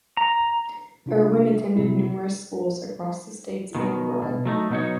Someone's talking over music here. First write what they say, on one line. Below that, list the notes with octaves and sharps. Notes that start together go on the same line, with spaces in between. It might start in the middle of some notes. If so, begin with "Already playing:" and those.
Irwin attended numerous schools across the states and abroad.
A#5
C3 D4 F4
C3 F#3 C4 E4
B2 D#3
B2
F#3 A3 D#4
B2 F#3 D#4 C#5